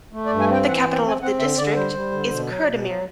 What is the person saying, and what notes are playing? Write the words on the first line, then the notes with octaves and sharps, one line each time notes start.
The capital of the district is Kurdamir.
A3
D5
G2
G#5
C4 G5
E3 F#5
G5
C4
G5
C4
G#5
C4 F#5
D3 E5
D3 D5
G3 C5
G3
D3
B2
F#3
B2
F#3